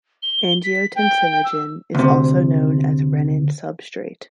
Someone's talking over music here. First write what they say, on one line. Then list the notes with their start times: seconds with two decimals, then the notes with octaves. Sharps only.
Angiotensinogen is also known as renin substrate.
0.23 G7
0.64 B6
0.96 G5
1.44 E6
1.95 D2 C3